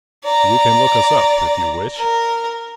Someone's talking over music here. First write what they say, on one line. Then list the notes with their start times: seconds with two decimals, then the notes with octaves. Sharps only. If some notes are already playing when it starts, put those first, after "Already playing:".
You can look us up, if you wish.
0.24 D5 A#5
1.97 A#4